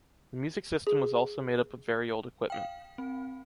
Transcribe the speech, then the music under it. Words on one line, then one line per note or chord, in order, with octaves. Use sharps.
The music system was also made up of very old equipment.
G#4
F5 G5
C4